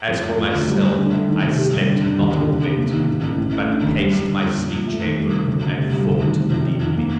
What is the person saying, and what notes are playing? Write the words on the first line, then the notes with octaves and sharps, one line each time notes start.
As for myself, I slept not a bit, but paced my sleep-chamber and thought deeply.
F2
A3
F3
D2
G3
G3
D3
A3
D#3
C3
G4
G3
D3
D3
D#2
D3
C3
C3
A#3
D#3
A1
A1
A2
A3
D4
D#2
G3
G3
D3
F2
A#2
F3
A3
D#3
G3
C3
D2
D3
C3
G3
D2
D#3
C3
F2
F2
D#3
A#3